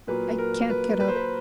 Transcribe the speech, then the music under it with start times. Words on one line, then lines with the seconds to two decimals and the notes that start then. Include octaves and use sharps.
I can't get up!
0.07 A#2 F#3 A#3 B4
0.38 A#4
0.70 B4
1.00 B4
1.08 C5
1.16 B4